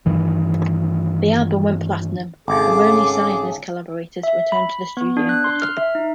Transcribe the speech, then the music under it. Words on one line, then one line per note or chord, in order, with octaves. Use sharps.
The album went platinum, and Roni Size and his collaborators returned to the studio.
G2 D#3 E3
G#1 C#3 G#4 A4 D6
E5
B5
B3
D4
F#6
C6
F6
E5
D#4